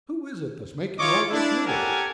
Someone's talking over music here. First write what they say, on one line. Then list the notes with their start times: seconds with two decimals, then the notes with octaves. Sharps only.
"Who is it that's making all this noise?"
0.98 E4 F4 C#5 D#5 C#6 D6
1.30 D4 E4
1.65 C#4 G4 A4 A#4 F#5 G#5